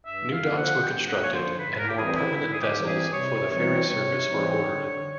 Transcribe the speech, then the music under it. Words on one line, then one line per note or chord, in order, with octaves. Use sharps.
New docks were constructed and more permanent vessels for the ferry service were ordered.
G2 E5
F5
D3 F3 A#3
F#5
G2 G5
F#5
D3 F3 A#3 C#5
C5
G#2 B4
A#4
G4
E3 G3 C4 G#4
E4
G#2 E4
G#4
G4
E3 G3 C4
G#4
C3 C#5
E3 G3 C4 D#4 C#5
C3 C#5
E3 G3 C4 D#4
D3